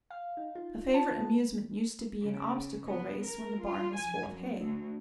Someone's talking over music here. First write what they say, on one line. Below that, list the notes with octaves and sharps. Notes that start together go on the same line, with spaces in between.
A favorite amusement used to be an obstacle race when the barn was full of hay.
F5
D#4
F4
A5
B3
C#3
B3
A#4
F4
G#5
F#2
D2